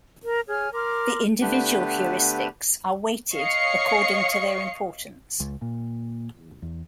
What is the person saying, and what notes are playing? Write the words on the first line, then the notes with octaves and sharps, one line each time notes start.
The individual heuristics are weighted according to their importance.
A#4
G#4 C#5 G#5 F6
A#4 C6 D6 F6
D3 A3 B3 D4 G4 B4
C#5 D#5 F5 C#6 C7 C#7
C#2
A#2
E2